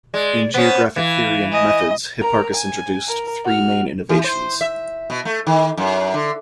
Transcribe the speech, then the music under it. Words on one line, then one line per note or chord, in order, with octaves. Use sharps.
In geographic theory and methods Hipparchus introduced three main innovations.
G#3 D5
B3 C#4 C5
E3 F5
D#5 G#5
A#4 A#5
G#5
A#4
F#4 F6
E3
C5
E5
B2
A3
D#3
F#2
D3